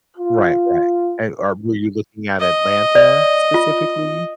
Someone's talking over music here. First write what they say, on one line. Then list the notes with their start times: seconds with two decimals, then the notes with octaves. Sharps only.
Right, right. And are were you looking at Atlanta specifically?
0.18 F4
2.40 D#5
2.95 D5
3.54 F4